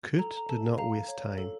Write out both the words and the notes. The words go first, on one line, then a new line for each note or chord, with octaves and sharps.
Coote did not waste time.
A4 A#5
A#5
A4 A5
F5 A#5
C#5
A4